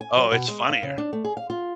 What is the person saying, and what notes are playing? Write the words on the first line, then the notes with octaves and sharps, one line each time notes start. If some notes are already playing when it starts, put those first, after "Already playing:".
Oh, it's funnier.
G#5
F#3
B2
G#3
F5
C#3
D4
A3
G#4
F5
F4